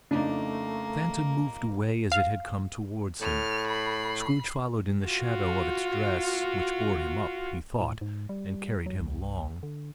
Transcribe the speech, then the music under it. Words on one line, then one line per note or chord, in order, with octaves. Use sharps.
The Phantom moved away as it had come towards him. Scrooge followed in the shadow of its dress, which bore him up, he thought, and carried him along.
F2 C#3 A3 A#3 D4 D#4
F5
A2 F6
B5 C7
F4 F#4
A2
G#2
G3
F#3
C2
D3